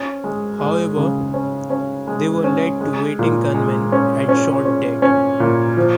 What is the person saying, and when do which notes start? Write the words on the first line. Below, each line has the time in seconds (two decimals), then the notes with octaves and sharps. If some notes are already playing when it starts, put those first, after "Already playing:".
However, they were led to waiting gunmen and shot dead.
Already playing: C#4
0.24 G#3
0.60 G#3
0.97 C#3
1.34 C#4
1.70 C#4
2.07 G#3
2.44 C#4
2.81 G#3
3.19 A#2
3.55 G#3
3.92 C#4
4.29 C#4
4.65 C#4
5.02 C#4
5.40 A#2
5.77 F3